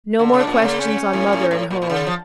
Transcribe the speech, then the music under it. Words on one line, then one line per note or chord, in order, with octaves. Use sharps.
No more questions on mother and home!
D3
C#3 D4
A#2
C#4
C#3 A#3
C#4
A2
A#2
A2
A2
A#2
A#2
C#3
F3